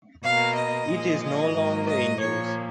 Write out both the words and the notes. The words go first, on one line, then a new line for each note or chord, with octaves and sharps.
It is no longer in use.
B2 A#3 F5
D#5
A#2 F3 G#3
D#5
G#2 F#3 A#3
D#5
A#2 F3 A#3 C#5